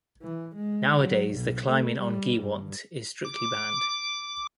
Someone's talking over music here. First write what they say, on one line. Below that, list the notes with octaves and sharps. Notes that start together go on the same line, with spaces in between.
Nowadays the climbing on Giewont is strictly banned.
E3
G#3
F#3
B1
A3
G3
G2
D6